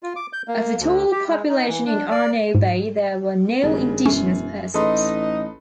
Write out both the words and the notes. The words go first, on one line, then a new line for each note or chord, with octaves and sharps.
Of the total population in Arno Bay there were no Indigenous persons.
F4
D6
G6
A#3
D2
G4
G#3
D#4
E3
D4
D5
G#2
G#1 G2 C#3
E1 F#2 C#4
A1 D#4 A4 B4 D#5 C6